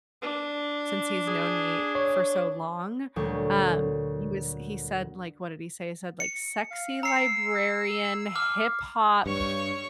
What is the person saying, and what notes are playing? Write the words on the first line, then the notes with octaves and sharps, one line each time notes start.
since he's known me for so long. Um, he was he said like, what did he say? He said like sexy librarian, hip-hop,
D4
G#4
C#5
D2 A#2 F#3 G3 C#6
C#7
F5
A#5 E6 C7 C#7
D6 F6
G2 C#5 C#6